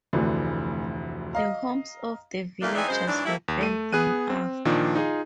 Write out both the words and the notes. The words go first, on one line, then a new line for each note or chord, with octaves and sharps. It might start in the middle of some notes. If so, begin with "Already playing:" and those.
The homes of the villagers were burned down after.
F1 D2 D3 E3
D#5 F5 A#5
E2 A#2 D3 A3 A#3 D4
E3 C4 D#4 G#4 D5 E5
F#2 C#3 G#3 C5
G#2 E3 F#3 D4
G3 A3 A#3 E4
D#2
A3 D#7
B3 G#4 F#6 D#7
C4
A#2 D#3 F3 D4
D#4 F4 G#4